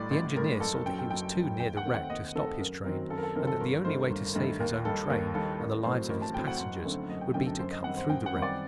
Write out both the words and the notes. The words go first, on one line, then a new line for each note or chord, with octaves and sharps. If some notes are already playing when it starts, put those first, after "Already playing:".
The engineer saw that he was too near the wreck to stop his train and that the only way to save his own train and the lives of his passengers would be to cut through the wreck.
Already playing: A1 A2 G3 D5
A1
A2 G3 A#4
F#1 A4
A#4
F#2 F#3 G5
G5
F#1 G5
F#2 F#3
D#2 G5
F#5
D#3 A3 C4
F#5
D#2 D#5
D#3 A3 C4 A4
F#2 A#4
D#3 F#3 C4 A#4
F#2 A4
A#4
A4
D#3 F#3 C4 A#4
A4
G1 A#4
G2 D#3 A3 C5
G1
G2 D#3 A3
D#2 A#4
D#3 G3 A#3 A4
D#2 A#4
D#3 G3 A#3 A4
A1 A#4
A2 F#3 C4 C5
A1 A#4
A5
A2 F#3 C4 G5
F#5
F#1
F#2 D3 A3 C4
F#1 D#5
G5
F#2 D3 A3 C4 G5
A4
F#2 C5
D#5
D#3 G3 C4 F#5
C5
F#2 G5
F#5
D#3 G3 C4
D5